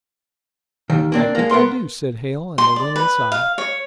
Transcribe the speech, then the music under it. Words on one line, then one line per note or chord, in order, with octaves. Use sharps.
"I think I do," said Hale, and they went inside.
D#2 D#3
A#3 C4 D4
G#3 A#3
B3 A#4 C6
C6
D5
B4
F5
C#5